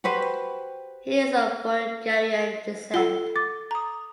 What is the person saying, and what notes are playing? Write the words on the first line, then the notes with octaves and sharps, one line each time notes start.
He is of Bulgarian descent.
F#4 G4 B4 C5
F4 A4 F#5 E6 G7
D6 A6
A#5 D#6